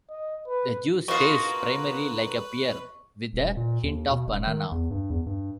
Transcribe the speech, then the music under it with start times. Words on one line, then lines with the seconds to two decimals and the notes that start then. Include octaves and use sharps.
The juice tastes primarily like a pear, with a hint of banana.
0.10 D#5
0.47 B4
1.08 A#3 F4 F#4 B4 D#5 F5 C#6
3.33 D#1
3.57 A#2
3.83 D#2
4.11 B2
4.27 D#1
4.47 D#3
4.72 E2
4.91 G2
5.10 E2
5.26 G2